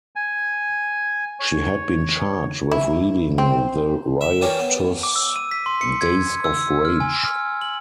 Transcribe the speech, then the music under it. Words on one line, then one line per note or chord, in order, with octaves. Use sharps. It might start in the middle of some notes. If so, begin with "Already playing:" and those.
She had been charged with leading the riotous "Days of Rage".
G#5
C#5
E4
C4
E5
E3 G3 A#3 C#4 D4 E4
B3
D6
E6
D#7
B6
C6
C#7
G#6
E6
F6
G#5
F6
F#7